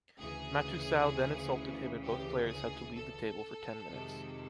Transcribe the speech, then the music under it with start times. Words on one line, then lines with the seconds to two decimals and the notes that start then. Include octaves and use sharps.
Matusow then insulted him and both players had to leave the table for ten minutes.
0.19 D2 C#3 E3 G#4
2.04 G4
2.49 G#4
2.95 A4
3.87 F2 C3 D#3 G#3